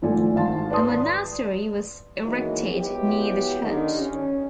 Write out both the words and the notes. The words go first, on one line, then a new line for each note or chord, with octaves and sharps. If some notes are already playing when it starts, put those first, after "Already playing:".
A monastery was erected near the church.
G#1 F3 A3 A4 D5 G#5
G#1 F5 A5 C6
B4 D5 A5 C6 D#6
B2 D#3 E3 F#3 G#3 A#3
F#3 G#3 B3 E4 G4
D3 D#3
C#4